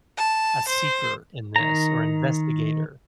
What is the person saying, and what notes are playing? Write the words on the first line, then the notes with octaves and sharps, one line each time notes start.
a seeker in this, or investigator?
A5
C5
D#3 A#5